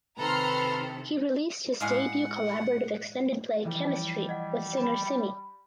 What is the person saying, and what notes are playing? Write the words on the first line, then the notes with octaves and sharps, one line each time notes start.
He released his debut collaborative extended play "Chemistry" with singer Simi.
C3 D#3 A4 B4 A#5 C6 F6
A2 G#3 F5 F#5
E3 F3 G3
D#5 F#5
B5